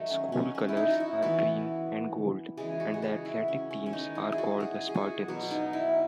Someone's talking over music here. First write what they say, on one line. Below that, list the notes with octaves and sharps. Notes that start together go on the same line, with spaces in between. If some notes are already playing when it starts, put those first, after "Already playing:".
School colors are green and gold, and the athletic teams are called the Spartans.
Already playing: D#3 F#3 A3 D#4
C#4
C#4
C#4
E4
D#4
F#4
E4
E3 B3 F#4
C#3 E3 G#3 G#4
F#4
G#4
F#4
E4
C#4
C#4
C#4
D#3 G#3 B3 D#4
E4
G#4
F#4
G#4
G#4
F#4
B2 F#3 B3
D#4
E4